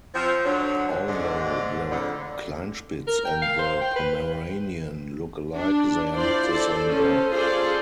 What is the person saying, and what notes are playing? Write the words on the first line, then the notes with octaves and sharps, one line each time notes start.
Although the Kleinspitz and the Pomeranian look alike, they are not the same dog.
F3 C4
D3 F#3
G#2 D3
F2 A2 D3
A#4
G5
F5
C5
G5
B4
D4
E4 F4 C5 D5
A4 C5
C#4 A4 C5
F4 G#4 A4 C5 D5